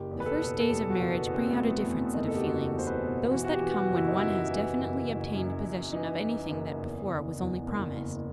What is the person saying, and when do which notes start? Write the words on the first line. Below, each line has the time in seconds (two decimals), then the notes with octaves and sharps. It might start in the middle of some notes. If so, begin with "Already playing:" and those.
But the first days of marriage bring out a different set of feelings--those that come when one has definitely obtained possession of anything that before was only promised.
Already playing: F#1 G4
0.11 E2
0.20 B4
0.26 A4
0.40 B2
0.60 A4
0.69 E2 G4
0.90 F#4
0.99 F#1
1.13 B3
1.27 E2
1.34 C4
1.51 A3
1.56 B2 B3
1.85 E2 B3
2.14 F#1 D#4
2.28 A4
2.36 G4
2.43 F#1 F#4
2.72 E2
2.79 C5
2.87 B4
3.02 B2
3.31 E3 F#4
3.44 F#4
3.52 G4
3.60 E3
3.74 F#4
3.89 F#1
3.96 E4
4.08 D#4
4.18 F#2 E4
4.47 E3
4.76 F#1
5.05 F#1
5.34 F#2
5.64 F#2
5.92 E3 D#4
6.21 E3
6.51 F#1
6.80 E2
7.09 F#1
7.39 E2
7.67 F#1
7.96 F#1